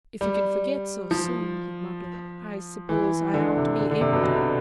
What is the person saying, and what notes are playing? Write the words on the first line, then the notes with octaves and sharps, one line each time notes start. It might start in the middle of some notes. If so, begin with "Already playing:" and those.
"If you can forget--so soon," he muttered, "I suppose I ought to be able to."
G3
F3
E3
D3
C3
D3
D3
C3
B2
C3
D3